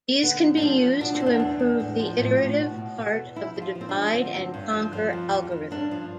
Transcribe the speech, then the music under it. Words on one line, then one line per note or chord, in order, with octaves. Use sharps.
These can be used to improve the iterative part of the divide-and-conquer algorithm.
D3 B3
E2
D4
F3 C4
F3
B2 D4
C4
E2
D4
E2
E2
A2
F3
A2
A2
B2
B2
B2
E2
F3 E4
F3
F4
F3
C4
D4
F3
D3 C4
G2
G2
F3
F3
F2
F2
F2
G2 D4
F3